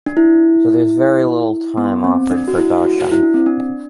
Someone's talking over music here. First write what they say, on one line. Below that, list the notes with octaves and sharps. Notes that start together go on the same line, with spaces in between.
So, there is very little time offered for 'Darshan'.
D4
E4
B3
C4
D4
F#4
E4
F#4
E4
D4
C4
D4